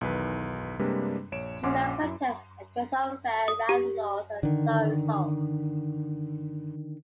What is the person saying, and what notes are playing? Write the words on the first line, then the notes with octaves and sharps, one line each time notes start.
She led protests against unfair landlords and saw results.
B1 E2 D#3 B4
C3 G3 G#3 A#3 D4 B4
A#1 C#5 D7 E7
A#1 C#4 F#5 G#5 C6 D6
F#2 E4
D#6
G4
D3 D#3